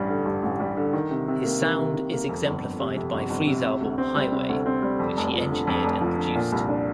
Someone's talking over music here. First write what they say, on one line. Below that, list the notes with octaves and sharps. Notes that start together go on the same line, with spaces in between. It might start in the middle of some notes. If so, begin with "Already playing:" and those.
His sound is exemplified by Free's album "Highway", which he engineered and produced.
Already playing: A1 G2 G3
D3
G2
A1
G3
D3
D#3
C3
C3
A#3
D#3
C3
C3
A#3
F2
G1
G1
C3
F2
G1
G1
C3
C3
D2
C4
G3
C3
D2
C4
G3
F2
F1
F3
D3
F2
F1
F3
D3
A#2
C2
D4